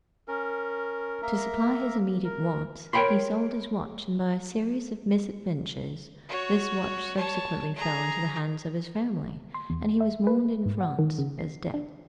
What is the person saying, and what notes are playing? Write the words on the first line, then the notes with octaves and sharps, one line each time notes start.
To supply his immediate wants he sold his watch; and by a series of misadventures this watch subsequently fell into the hands of his family, and he was mourned in France as dead.
C#4 A#4
A#3 A#4 E5 A#5
A#4
A#4 C#5 G5 B5 C6
F#4 C#5
C#5 A5
G#4 A#5
C6
E2
E5
B4
G#2
F#5
D#3
C#3
C7
D4